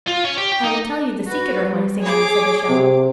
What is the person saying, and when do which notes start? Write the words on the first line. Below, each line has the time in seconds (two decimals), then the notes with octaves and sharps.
"I will tell you the secret of my singing," said the shell.
0.08 F4
0.25 C#4
0.38 G4
0.52 G5
0.64 D#4
1.27 F#4 B4
1.66 G3
2.00 G#4 C#5 D6
2.69 C3